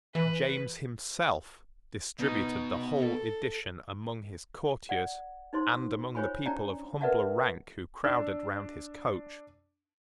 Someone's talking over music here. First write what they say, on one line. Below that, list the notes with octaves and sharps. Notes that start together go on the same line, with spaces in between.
James himself distributed the whole edition among his courtiers and among the people of humbler rank who crowded round his coach.
E3 B4
B2 D#4
A4
D5 F#5
D#4 E4 C5 C6
F4 C5 C#5 G#5 B5
C#4 D4 D5 G5 A5 A#5
A#4 B4 D5 E5 F#5 A5
D4 E6